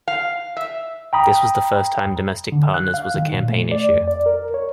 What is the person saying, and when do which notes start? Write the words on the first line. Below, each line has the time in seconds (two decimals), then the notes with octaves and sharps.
This was the first time domestic partners was a campaign issue.
0.08 F5
0.57 E5
1.13 G5 A#5 B5 D#6
2.52 D3
2.74 F#6
2.94 F5
3.14 D#3
3.34 A#2
3.49 A3
3.72 D5
3.89 F2
4.08 D5
4.26 A#4
4.54 C#5